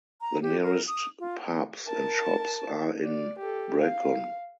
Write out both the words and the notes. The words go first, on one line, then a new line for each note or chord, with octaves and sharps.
The nearest pubs and shops are in Brecon.
A#5
G4
A#4
D#6
F4
A#4 A5
D5
G4 A4
F5